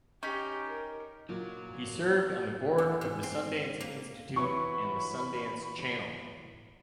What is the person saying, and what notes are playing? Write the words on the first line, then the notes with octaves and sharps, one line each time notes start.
He served on the Board of the Sundance Institute and the Sundance Channel.
C#4 D#4 G4
A#4
A#2 F#3
E2
G#2
C4
A#3
E3 F#3 F#4 B5 C#6